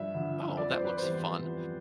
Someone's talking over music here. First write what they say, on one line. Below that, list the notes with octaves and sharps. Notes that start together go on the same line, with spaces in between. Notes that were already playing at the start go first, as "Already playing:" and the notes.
"Oh, that looks fun."
Already playing: G2 F3 E5
D3 F3
F2 D5
C5
B4
E3 G3 B3 C5
F2